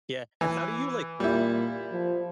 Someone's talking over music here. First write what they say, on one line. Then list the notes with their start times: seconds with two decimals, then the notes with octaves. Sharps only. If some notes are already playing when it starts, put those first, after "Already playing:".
Yeah, and how do you, like
0.41 E3
1.20 A#2 G3 E4
1.92 F3